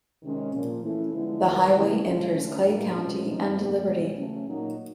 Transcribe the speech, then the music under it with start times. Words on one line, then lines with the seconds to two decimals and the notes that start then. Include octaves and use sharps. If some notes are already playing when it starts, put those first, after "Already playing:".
The highway enters Clay County and Liberty.
0.22 C3 D#3 G#3 C#4
0.52 A#2 F3 A#3
0.82 E3 A3 C#4 E4 A4
1.12 D3 F3 G#3 B3 E4
1.43 D#3 G#3 B3
1.73 C#3 E3 A3 C4 E4
2.03 F3 G#3 C#4 F4 A4
2.33 D3 F3 A3 C#4
2.64 A2 F#3 A#3 D4 F4
2.94 B2 G#3 C#4
3.25 E3 A3 C4 D#4
3.55 F2 C3 D#3 F#3 B3
3.85 D#2 C#3 F3 G#3
4.16 C#3 F#3 A3 C#4
4.46 A#2 F#3 A#3 D#4 F#4